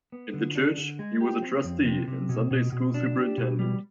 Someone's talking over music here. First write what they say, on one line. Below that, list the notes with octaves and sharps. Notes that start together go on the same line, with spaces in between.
In the church, he was a trustee and Sunday School Superintendent.
B3
D3
D4
D3
G#3
G4
C4
F2
C3
C3
B2
B2
B2
D4
G4
B2
G3